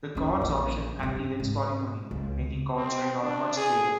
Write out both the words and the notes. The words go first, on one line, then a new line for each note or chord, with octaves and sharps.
The 'Chords' option activates polyphony, making chords ring out much clearer.
F2 C#4
A#1 E3
G2 C3
G#2
C#2
C4
D4
G#4